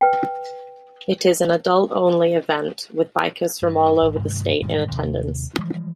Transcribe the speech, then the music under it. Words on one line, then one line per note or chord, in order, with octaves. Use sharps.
It is an adult-only event, with bikers from all over the state in attendance.
B4 G5
G2
G#1
G2 C3 D#3 A3
E1 G#2 D#3 G3
D#2 C3
E3 F3 G3 G#3